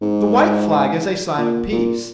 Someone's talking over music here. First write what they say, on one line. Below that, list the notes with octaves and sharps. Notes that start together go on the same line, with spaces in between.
The white flag is a sign of peace.
G#2
A#2
A#2